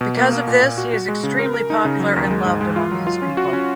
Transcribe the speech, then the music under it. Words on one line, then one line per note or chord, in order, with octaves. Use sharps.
Because of this, he is extremely popular and loved among his people.
B2
A#3
A#3
A#2
A#2
F#4
F#4
G#3
C#3
A#4
A#4
D#4
C#3
F#3
D#2
G#3
G#2
G#3
F4
F#3
F4
C#4
F#4
C#4